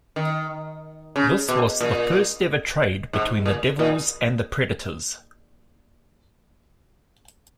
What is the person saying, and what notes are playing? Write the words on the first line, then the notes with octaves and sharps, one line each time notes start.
This was the first-ever trade between the Devils and the Predators.
D#3
C#3
B2
A#2
G#2
A#2
A#2